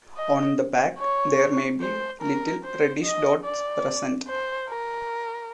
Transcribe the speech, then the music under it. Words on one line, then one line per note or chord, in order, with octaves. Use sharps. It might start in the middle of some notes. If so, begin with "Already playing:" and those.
On the back there may be little reddish dots present.
D#5
C#5
C5
A#4
C5
D#5
D5
C5
A#4